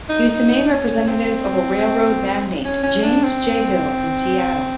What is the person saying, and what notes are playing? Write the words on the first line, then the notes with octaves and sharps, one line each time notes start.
He was the main representative of railroad magnate James J. Hill in Seattle.
D#4
D#4
C#4
C4
C#4
C#4
D4
C4